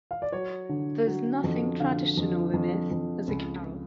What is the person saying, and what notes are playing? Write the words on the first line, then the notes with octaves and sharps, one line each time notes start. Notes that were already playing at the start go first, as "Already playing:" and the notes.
There is nothing traditional in it as a carol.
F5
D5
F#3 C#5
D3
F#3
F2
D3 F5
F2
F2
F2
C#2